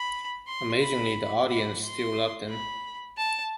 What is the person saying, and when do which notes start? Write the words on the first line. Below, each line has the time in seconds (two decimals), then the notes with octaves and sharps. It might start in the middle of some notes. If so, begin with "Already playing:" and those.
Amazingly, the audience still loved them.
Already playing: B5
0.47 C6
0.81 B5
1.48 B5
1.82 C6
2.49 B5
3.17 A5